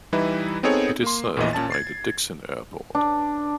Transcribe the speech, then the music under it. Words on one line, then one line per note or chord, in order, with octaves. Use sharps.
It is served by the Dikson Airport.
E3 G3 D#4 E4 B4
B3 C4 D#4 G#4 A4 C#5
A#3 C6
A#1 E2 A#2 E3 D#5
A#2 C#4 A5 A6
G#6 A6 C7
D4